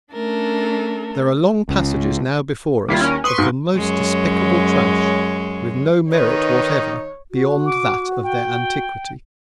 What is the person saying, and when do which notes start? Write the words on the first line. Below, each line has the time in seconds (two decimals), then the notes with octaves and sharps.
There are long passages now before us of the most despicable trash, with no merit whatever beyond that of their antiquity..
0.12 A3 C#4 D4 A4 A#4
1.69 C#2
2.89 D#2 G3 E4 F4
3.01 C#4 A#4
3.24 B4 C6 C#6 D#6
3.38 B1 G#2
3.76 F#2 G#3 C#5
6.11 D#3 D#4 B4 C#5
7.31 F#4
7.66 D6
8.23 G5